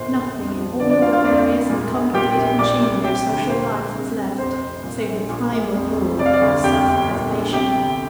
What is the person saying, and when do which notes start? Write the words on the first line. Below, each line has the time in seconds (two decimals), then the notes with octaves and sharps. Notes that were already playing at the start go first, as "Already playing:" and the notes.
Nothing in all the various and complicated machinery of social life was left save the primal law of self-preservation!
Already playing: G1 A#2 C5 C6
0.12 A#1
0.35 F2
0.57 F3
0.80 D3 D5
0.90 D5
1.02 D2 F4 F5
1.13 F4 F5
1.24 F2 D5
1.47 F1
1.70 A#2
1.91 A#1
2.14 A#2 G4 G5
2.37 A#1
2.59 A#2 D5 D6
2.81 C2
3.04 C3 G4 G5
3.26 D2
3.49 A#2 C5
3.71 A#1
3.94 C3
4.17 C2
4.38 F2 C5
4.61 F1
4.84 A#2
5.06 A#1
5.29 A#2
5.51 A#1
5.74 F2
5.96 F1
6.19 C3 D5
6.26 F5
6.33 D5
6.42 D2
6.64 F2 G4 G5
6.87 G1
7.08 A#2
7.31 A#1
7.53 C3 G4 G5
7.76 D2